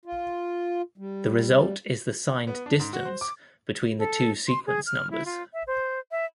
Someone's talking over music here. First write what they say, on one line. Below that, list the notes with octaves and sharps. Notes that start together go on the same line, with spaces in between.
The result is the signed "distance" between the two sequence numbers.
F4
G3
B3
D4
G#2
F#4
C5
D6
A4
C6
G#4
F6
E4
F4
E5
C5
E5